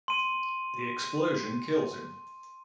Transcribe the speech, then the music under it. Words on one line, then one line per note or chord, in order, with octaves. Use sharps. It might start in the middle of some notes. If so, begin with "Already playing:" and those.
The explosion kills him.
C6 D#7